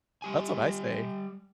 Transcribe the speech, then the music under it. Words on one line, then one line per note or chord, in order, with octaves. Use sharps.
That's what I say,
G3 G4 G#5